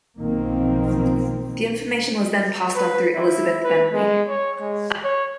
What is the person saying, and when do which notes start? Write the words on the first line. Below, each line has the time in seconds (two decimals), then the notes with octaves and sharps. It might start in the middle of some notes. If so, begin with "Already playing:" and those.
The information was then passed on through Elizabeth Bentley.
0.18 B1 D#3 F3 A#3 C4
2.75 B4
3.15 E4
3.64 B4
3.93 G#3
4.29 C#5
4.61 G#3
5.04 C#5